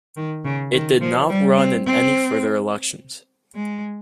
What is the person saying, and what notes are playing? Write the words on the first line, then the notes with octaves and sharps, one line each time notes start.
It did not run in any further elections.
D#3
C#3
D#3
F3
G3
C4
C4
G#3